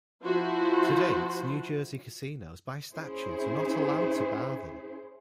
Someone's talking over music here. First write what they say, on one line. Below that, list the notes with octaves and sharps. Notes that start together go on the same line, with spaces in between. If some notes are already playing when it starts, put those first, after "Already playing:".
To date, New Jersey casinos-by statute-are not allowed to bar them.
F3 E4 F#4 C5
C#4 E4 G#4 C5